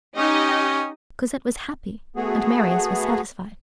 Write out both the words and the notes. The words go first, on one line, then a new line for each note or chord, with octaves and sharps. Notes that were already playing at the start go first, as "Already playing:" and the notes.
Cosette was happy, and Marius was satisfied.
C#4 D#4 G4 D#5
A3 B3 F#4 G#4